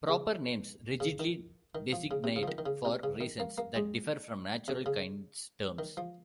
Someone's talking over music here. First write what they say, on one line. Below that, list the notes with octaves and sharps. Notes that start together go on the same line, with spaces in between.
Proper names rigidly designate for reasons that differ from natural kinds terms.
C#3
C#3
D#3
D#3
F3
C#3
C3
C#3
F3
D#3
D#3
C#3
C3
C#3
D#3
A#3
A#3
G#3
C3
C#3
D#3
F3